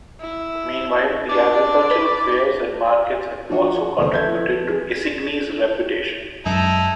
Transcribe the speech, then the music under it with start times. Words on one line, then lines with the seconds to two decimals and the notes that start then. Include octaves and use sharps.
Meanwhile, the agricultural fairs and markets have also contributed to Isigny's reputation.
0.21 E4
1.29 D4 D5
1.91 B4
3.50 F3 D4 F#4
3.98 D#2 D3 F3 A4 B4 C5
4.12 E5 G6 G#6
4.64 C4 G#4
6.46 F#2 F#3 G#3 D#4 E4 A4